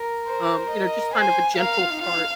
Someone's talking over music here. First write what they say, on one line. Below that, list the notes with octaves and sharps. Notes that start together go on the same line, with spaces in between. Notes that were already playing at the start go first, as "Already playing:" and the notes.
um, you know, just kind of a gentle start,
Already playing: A#4
C5
D#5
C5 G#5
C5
A#4 F5
F4
D#4
F4 F5
D#4